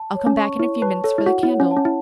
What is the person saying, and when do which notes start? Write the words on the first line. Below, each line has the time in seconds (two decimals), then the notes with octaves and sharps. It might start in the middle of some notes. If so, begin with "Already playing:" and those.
I'll come back in a few minutes for the candle.
Already playing: A5
0.15 C#5
0.26 C#4
0.37 C#6
0.60 E4 C#5
0.82 B4 A5
1.04 A4 C#5
1.18 E4
1.26 F#4 F#5
1.43 E4
1.48 C#5
1.60 C#4
1.71 A5
1.77 C#4
1.85 E4